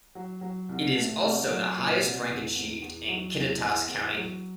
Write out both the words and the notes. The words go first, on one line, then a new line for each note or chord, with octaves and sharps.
It is also the highest rank achieved in Kittitas County.
F#3
F#3
C2
A3
C2
F#3
A#2
C2
E2
E2
E2
F#3
E2
E2
E2
F#3